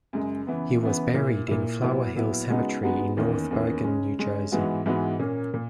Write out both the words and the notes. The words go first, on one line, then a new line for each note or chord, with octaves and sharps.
He was buried in Flower Hill Cemetery in North Bergen, New Jersey.
F#2 C#3 G#3
C#3 E3 B3
C#3 E3 B3
A#2 A#3 E4
A#2 A#3 E4
A#2 F#3 B3 E4
A#2 F#3 B3 E4
C#3 G#3 B3 D#4 F#4
C#3 G#3 B3 D#4 F#4
E2 D#3 A#3 C#4
E2 D#3 A#3 C#4
C#3 G#3 C#4
C#3 G#3 C#4
G#2 E3 G#3 B3 F#4
G#2 E3 G#3 B3 F#4
A#2 A#3 C#4
A#2